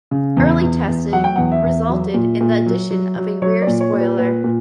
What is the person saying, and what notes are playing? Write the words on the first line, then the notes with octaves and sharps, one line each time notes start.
Early testing resulted in the addition of a rear spoiler.
C#3
E2
E2
E2
F#3 F#5
G5
E2 F#5
E5
E2
F#3
A#2
A#2
F#3
F#3
F#3
F#3 C#5
D5
A#2
C#5
A#2
B4
A#2 B4
A#2